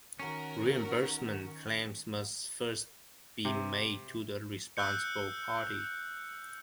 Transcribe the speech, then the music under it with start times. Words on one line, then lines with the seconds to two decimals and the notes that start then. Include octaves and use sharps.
Reimbursement claims must first be made to the responsible party.
0.20 D#3 C#4 F#4 A#4
3.45 C3
4.77 E6 F#6 G6 C#7